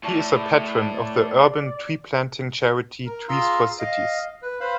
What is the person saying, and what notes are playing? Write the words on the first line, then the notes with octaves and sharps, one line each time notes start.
He is a patron of the urban tree-planting charity Trees for Cities.
A2 D5 A5 C#6
A#4
F4 G#4 F5 A#5 C6 E6
D#5 F5
B4
B4 C5 F5 B5